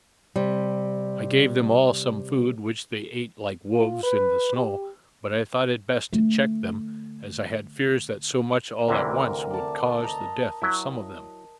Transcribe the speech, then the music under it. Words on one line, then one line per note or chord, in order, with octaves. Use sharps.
I gave them all some food, which they ate like wolves in the snow, but I thought it best to check them, as I had fears that so much all at once would cause the death of some of them.
C3 G3
F4
B4
G4
D3 A3
D2 C3 E3 A#4
D5 A5
D#5 A5 A#5
F#3 E4